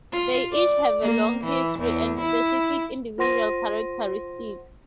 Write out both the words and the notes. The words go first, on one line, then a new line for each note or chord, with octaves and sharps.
They each have a long history and specific individual characteristics.
F4
D5
A#3
E3
E2
E4
F4 C5 F#5 C6 A#6 D#7